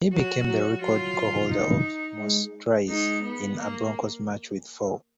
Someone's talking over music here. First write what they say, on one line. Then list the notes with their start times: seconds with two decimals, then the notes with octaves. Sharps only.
He became the record co-holder of most tries in a Broncos match, with four.
0.12 F#3 F#4
0.46 F#3
0.81 F#3 F4
1.50 D#4
2.19 G#3
2.87 G#3 D#4
3.22 B3
3.57 A#3